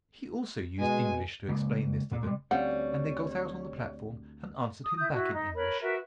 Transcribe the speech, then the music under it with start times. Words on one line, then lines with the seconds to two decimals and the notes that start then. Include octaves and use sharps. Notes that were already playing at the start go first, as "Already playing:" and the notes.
He also used English to explain this to them, and they got out on the platform and answered him back in English.
0.80 B2 G#3 G#5
1.48 C#3 G#3 A#3
2.11 A#2
2.23 G3 G#3
2.51 D2 F3 G3 C4 C#4 C#5 F#5
4.83 D#6
4.97 E4 D#6 G6
5.14 E4 F#4
5.32 D#4
5.55 A#4 B4 C#5 B5
5.81 F#4 A#4 B4 E5